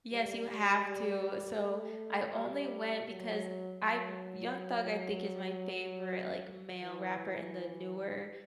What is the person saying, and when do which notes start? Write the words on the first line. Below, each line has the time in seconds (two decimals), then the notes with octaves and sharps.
Yes, you have to. So I only went because I've Young Thug, I think, is my favorite, like, male rapper in the newer
0.12 G3
0.50 G3
0.86 G3
1.61 A3
2.35 G3
3.10 F#3
3.84 F#3
6.82 E3